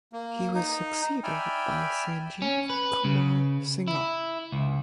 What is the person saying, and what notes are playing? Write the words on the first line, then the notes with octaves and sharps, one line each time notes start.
He was succeeded by Sanjeev Kumar Singhal.
A#3
D#4
D5 E5 G5 G#5 B5 F6
C#4
B4
C#3
E4
C#2